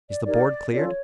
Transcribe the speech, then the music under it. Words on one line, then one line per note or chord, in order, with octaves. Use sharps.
"Is the board cleared?"
D5
D#4 G4 A#4 C#5 D5
C#4 F4 A4 C#5 D5
C#5